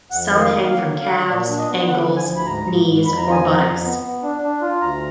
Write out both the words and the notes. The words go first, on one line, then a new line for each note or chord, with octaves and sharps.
Some hang from calves, ankles, knees, or buttocks.
F2 F#5
D#3 D#5
F5
A#3
F#3 F5
D3
F5
F#3
A#2 D5
D4
D#5
B3
D3 F#5
F3
G#5
D2
B5
G#2 A#5
G#2
G#2
F2 B5
A#5
F3
G#5
F2 A#5
F2
B3
B3
D4
D4
F4
D2 A#5